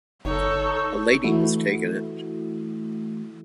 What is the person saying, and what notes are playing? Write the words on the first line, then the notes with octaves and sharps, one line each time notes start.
A lady has taken it.
G1 D#4 A4 C#5
E3 A3 E4 F#4